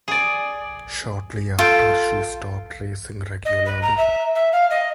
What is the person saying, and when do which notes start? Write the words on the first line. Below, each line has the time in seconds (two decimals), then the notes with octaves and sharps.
Shortly after she stopped racing regularly.
0.08 G#4 D5
1.59 F4 A4 G5
3.45 D#5
3.65 B4
3.82 A#5
3.97 E5
4.35 E5
4.53 F5
4.70 D#5